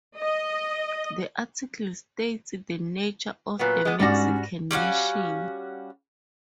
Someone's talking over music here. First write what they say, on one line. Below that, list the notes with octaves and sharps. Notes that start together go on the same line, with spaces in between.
This article states the nature of the Mexican nation.
D#5
A#2 F#3 B3 B4
G#3 B3
G#2 G3 C#4 D4 F#4 D5 A#6
G3 C#4 F#4 F5